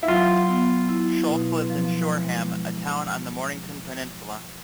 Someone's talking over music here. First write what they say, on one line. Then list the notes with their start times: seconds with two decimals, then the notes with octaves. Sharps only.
Schultz lives in Shoreham, a town on the Mornington Peninsula.
0.03 E4
0.08 F#3 F4
0.49 B3
0.89 E4
1.29 B2
1.70 F3
2.11 G#3